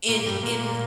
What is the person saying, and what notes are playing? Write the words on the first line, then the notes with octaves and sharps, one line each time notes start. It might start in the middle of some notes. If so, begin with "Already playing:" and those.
in in
A#2
G2
A#2